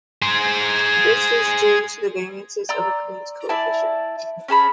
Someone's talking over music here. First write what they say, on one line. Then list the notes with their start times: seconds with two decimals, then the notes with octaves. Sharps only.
This is due to the variances in Okun's coefficient.
0.22 G#4 C5
2.69 D5 A#5 C6 E6
3.49 E4 D5 G#5 A5
4.48 C#4 G#4 A5 B5